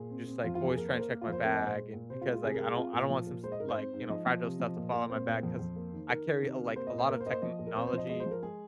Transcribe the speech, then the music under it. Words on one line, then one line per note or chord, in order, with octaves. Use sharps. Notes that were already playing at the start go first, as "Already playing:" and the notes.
just, like, always trying to check my bag and because, like, I don't I don't want some s like, you know, fragile stuff to fall out my bag 'cause I carry, like, a lot of technology
Already playing: A#2 G#4
C4
C4
F2 F4
F4
F2
G#4
A#3 A#4
C5
A#3
A#4
A#3 A#4
F4
F2
C5
C4 A#4
D#5
A#2
C5
G#3
A#2
C3 C5
F4
G#3
F4
C3 G#4
A#4
G#3
G#4
C4 F4
A#2
F3
A#2
G#3 C5
D#5
G#2 A#4
C5
C4
G#2
F3 D#5
F3
C3
F3
A#2
A#2
C4 C5
A#2
F2
F2
A#3
D#3
D#3 A#4
D#3
C3
C3
A#3 C5
D#5
A#2
C5
A#3 A#4
C5
A#3 D#5
C5
F3 D#5
A#2
A#4
C4 C5
C5
F3 D#5
G#3 D#5
C5
F3
A#4
G#3 G#4